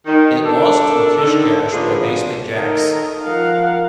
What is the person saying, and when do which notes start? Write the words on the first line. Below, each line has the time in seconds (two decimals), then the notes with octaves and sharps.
It lost to "Kish Kash" by Basement Jaxx.
0.06 D#3
0.44 D4 A4 A#4
1.22 D3 D#3 A4
1.72 D3 F3 A#3 B3 D4 G#4
2.51 D#3 A4 A#4 D#5
3.24 F3 A#4 F5 F#5